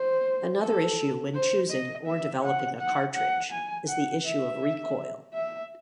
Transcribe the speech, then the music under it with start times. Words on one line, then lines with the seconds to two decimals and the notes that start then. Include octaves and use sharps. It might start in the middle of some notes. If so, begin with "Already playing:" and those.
Another issue, when choosing or developing a cartridge, is the issue of recoil.
Already playing: C5
0.61 A4
1.34 C5
1.70 D#5
2.06 E5
2.43 F#5
2.79 F#5
3.16 F#5
3.52 G#5
3.88 F#5
4.24 E5
5.33 E5